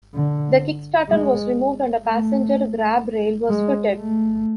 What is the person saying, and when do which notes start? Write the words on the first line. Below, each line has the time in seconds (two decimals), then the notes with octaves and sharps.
The kick-starter was removed and a passenger grab rail was fitted.
0.14 D3
1.09 G#3
2.05 A3
3.49 G#3
3.97 A3